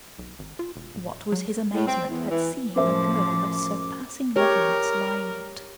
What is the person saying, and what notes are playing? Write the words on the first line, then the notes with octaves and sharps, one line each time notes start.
What was his amazement at seeing a girl of surpassing loveliness lying in it!
B1
G#1
F4
E1
D1
F#3
A2
C4
E2
E3
F#2 A2 F3 C5 E5 D6
G4 A#4 C#5